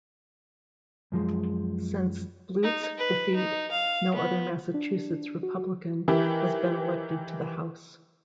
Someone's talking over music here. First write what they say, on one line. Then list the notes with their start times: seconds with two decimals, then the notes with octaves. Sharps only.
Since Blute's defeat, no other Massachusetts Republican has been elected to the House.
1.12 F#2 F3 G#3
2.63 D#4
2.98 B4
3.35 D#4
3.71 F5
4.15 B3
4.74 D4
5.43 F#4
6.08 D#3 E3 E4 G4 A#4